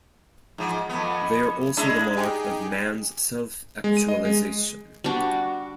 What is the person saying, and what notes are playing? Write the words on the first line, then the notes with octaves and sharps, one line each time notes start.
They are also the mark of man's self-actualization.
G#2 F3
F2 B3
G#3 D4 E4
D#4 G4 G#4
G#3
D#7
D#5
G#3
G3 D4 F#4